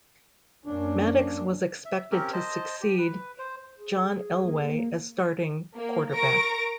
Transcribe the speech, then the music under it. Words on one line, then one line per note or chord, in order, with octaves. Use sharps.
Maddox was expected to succeed John Elway as starting quarterback.
F#2 A#3 C#4 D4
E5
C4 C#4 G4 A#4
C5 D#5 A5
G4
B4
C5
G#4
A#3
A#3
A#4 A#5 C#6 A#6 D7